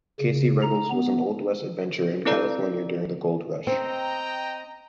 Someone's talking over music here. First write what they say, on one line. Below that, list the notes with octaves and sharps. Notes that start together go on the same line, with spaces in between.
Casey Ruggles was an Old West adventurer in California during the Gold Rush.
C#3
A#5
B3
C4 E4 A4 B4 D5 A#5
C4 D#5 G5 A#5